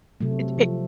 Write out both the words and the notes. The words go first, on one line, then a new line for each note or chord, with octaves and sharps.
It it
C3 F#3 A3
F3